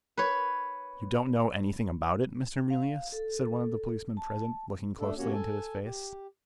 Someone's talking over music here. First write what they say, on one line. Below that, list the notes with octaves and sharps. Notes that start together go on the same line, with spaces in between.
"You don't know anything about it, Mr. Mealyus?" said one of the policemen present, looking closely into his face.
B4 C#5
F5
A4
A5
A3 D4 A4
G2 C3 A#3 C#4 F#4 C#5
A4 G#5 A5
G4